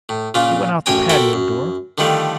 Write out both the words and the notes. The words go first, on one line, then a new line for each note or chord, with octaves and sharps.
He went out the patio door.
A2
A#2 C#3 A#3 F4
A1 F#2 C#5 G5 G#5 A#5
F#4 A4 A#4 C5 E5 G5
F#2
D3 D#3 F3 G3 A3